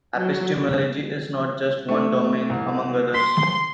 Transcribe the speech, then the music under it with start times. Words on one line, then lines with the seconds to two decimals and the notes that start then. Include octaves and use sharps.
Epistemology is not just one domain among others.
0.17 F#3
1.89 A3 D4
2.50 C2
3.14 C6 B6